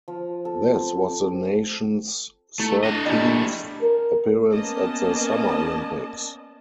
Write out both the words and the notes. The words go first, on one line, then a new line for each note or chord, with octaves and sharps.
This was the nation's thirteenth appearance at the Summer Olympics.
F3
A4
C4
D5
A3 E4
D4 D#5
G3 A3 D4 E4 D#5
A#4
A#3 B3 C#4 D5 D#5 A5